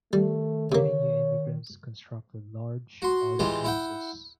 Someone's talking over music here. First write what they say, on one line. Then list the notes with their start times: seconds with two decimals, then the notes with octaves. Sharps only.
Many new immigrants constructed large, modern houses.
0.13 D#3 G3 A3
0.72 C3 A#3 C#5
3.02 F#4 C6
3.39 E3 G#3 F4 G4
3.64 E4 F#5 G5